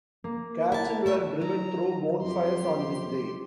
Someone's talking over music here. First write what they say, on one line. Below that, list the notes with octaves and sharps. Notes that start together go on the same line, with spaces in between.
Cattle were driven through bonfires on this day.
A#3
E4 A5
A3 C#5 E5
F#3 A#5
F2 G4 C6